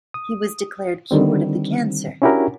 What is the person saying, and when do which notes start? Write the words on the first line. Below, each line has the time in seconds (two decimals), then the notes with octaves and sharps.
He was declared cured of the cancer.
0.14 D#6
1.11 D3 D#3 G3 C4
2.22 C#4 D4 E4 F#4 G4 A#4